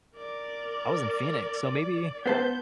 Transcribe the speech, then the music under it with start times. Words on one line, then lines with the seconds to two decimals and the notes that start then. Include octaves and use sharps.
I was in Phoenix. So maybe
0.16 A#4 D5
2.26 B3 C5 A5 G6